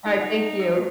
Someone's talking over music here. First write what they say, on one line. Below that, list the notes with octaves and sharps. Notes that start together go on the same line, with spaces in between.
Alright, thank you.
D#4
D5 F#5 B5
E6
F4 F#4